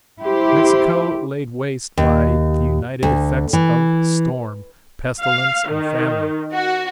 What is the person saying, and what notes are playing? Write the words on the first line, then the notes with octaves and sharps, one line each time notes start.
Mexico laid waste by the united effects of storm, pestilence and famine.
E4 G4 C5
D#2
D2
E3
F5
D#3
F#4